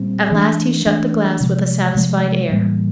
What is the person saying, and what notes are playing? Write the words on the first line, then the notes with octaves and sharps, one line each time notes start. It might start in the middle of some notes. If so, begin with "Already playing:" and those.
At last he shut the glass with a satisfied air.
Already playing: A#2 G3 C4
E3 A3 D4
E3 A3 D4
C3 F3 G#3
C3 F3 G#3
A2 E3 G3 A#3